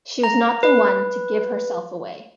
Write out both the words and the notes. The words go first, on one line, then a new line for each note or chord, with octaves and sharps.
She was not the one to give herself away.
A#5
B4